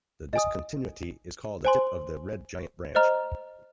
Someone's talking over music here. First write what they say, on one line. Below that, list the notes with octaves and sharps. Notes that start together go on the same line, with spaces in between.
This discontinuity is called the tip of the red-giant branch.
D#5 G#5 D#6
C5 G#5 C6
C5 D#5 A#5 F6